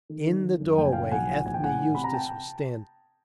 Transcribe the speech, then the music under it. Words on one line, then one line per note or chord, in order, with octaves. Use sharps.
In the doorway Ethne Eustace was standing.
D#3
D#3
D#3
F#2
F#1 G5
G#5
C#3 F5 G5
B1 F#5 G#5
F3
A#1 G#5
G5
A2 F#5 G#5
E3
C3 B5
A#5
G5 A5